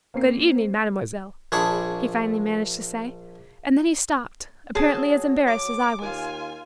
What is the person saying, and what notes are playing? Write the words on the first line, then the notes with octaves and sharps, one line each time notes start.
"Good evening, mademoiselle," he finally managed to say, and then he stopped, apparently as embarrassed as I was.
A#3 C4 C7
A#1 D4 G#4 B5 C#6
F#3 G#4 A5
D6
D#2 F4 G#5